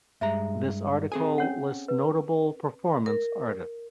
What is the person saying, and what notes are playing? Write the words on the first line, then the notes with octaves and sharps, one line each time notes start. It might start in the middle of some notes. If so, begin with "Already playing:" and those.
This article lists notable performance artists.
G2 G#3 E5 A#5
C4 G#4 A4 G#5
C#4 C#5 F#5
B4
A#4